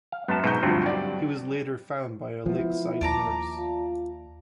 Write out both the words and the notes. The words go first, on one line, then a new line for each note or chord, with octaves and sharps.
He was later found by a Lakeside nurse.
F5
F#2 B3 A5
G#2 B2 A#5 G6
D2 G2 F3 F#3 C4
G4 D5
F3 G#3 B3 E4
D#2 D5 A5 A#5
F4